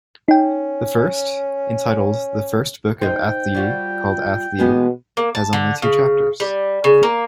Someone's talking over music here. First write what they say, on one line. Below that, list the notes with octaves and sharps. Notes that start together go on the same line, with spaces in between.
The first, entitled "The First Book of Athlyi Called Athlyi", has only two chapters.
C#4 D#4 G5
D#4 C5 G5
G3 F4 F#4
B2 E3 G#3 B3
A#3
A5
D3
C#3
G3
C#3
A#3